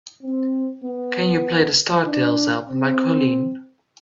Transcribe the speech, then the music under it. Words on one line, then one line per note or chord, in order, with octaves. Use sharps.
Can you play the Star Tales album by Colleen?
C4
B3
D4
C4